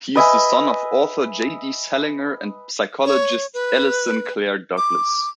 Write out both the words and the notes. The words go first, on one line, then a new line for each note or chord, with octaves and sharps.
He is the son of author J. D. Salinger and psychologist Alison Claire Douglas.
B4 D#5 E5 G#5
C#5
B4
D6